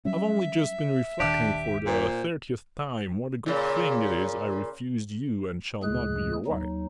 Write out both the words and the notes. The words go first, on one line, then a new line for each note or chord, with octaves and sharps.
I've only just been reflecting for the thirtieth time what a good thing it is I refused you and shall not be your wife.
F#3 G3 C#4 E5
D#1 D#3 D4 G4
A#2 C5
A#2 C#3
D2 A2 C#3 G#3 G#4 F#6
D#2 F#3 D#4